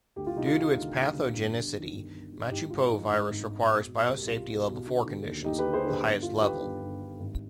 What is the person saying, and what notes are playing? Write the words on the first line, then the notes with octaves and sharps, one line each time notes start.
Due to its pathogenicity, Machupo virus requires Biosafety Level Four conditions, the highest level.
D2 G4
F4
C3 D#4
F4
D#3
D2
D2
C3
G1
G2
D#3
G1
G1
G2
G#1 D#4 G4
G#2 F4
D#3 D#4
G#1 D#4
G#1
G#2
B2
B2
C2
C2 F4
B2
B2
D3
D3
D#2
D#2 D#4 G4
G4 B4
D3
G#4 C5
D3 G4 B4
G1
G2 F4
D#3 G4 B4
G1
G1
G2
G#1